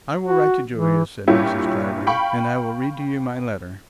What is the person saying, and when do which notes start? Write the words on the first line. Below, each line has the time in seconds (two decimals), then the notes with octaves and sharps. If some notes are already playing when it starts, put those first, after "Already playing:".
"I will write to Julia," said Mrs. Clavering; "and I will read to you my letter."
0.23 F#4
0.73 E3
1.27 G2 A#2 C#4 E4 F4 G4
2.07 F5 G5 B5 C#6